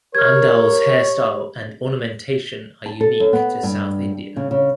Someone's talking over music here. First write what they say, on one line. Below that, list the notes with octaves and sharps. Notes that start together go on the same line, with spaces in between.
Andal's hairstyle and ornamentation are unique to south India.
G4 A#4 C#5 F6 G#6
A5
A4
F#2
B3
G2
C#3
C#3